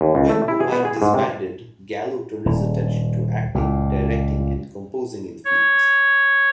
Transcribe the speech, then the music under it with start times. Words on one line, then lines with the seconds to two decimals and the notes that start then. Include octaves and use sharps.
When Bohack disbanded, Gallo turned his attention to acting, directing, and composing in films.
0.01 D#2
0.15 C#2
0.30 A3
0.48 E4
0.60 G#4
0.72 B3
0.85 G#4
1.02 G#2
1.14 C3
2.46 D#1
3.55 C#2 A#2
5.45 C#5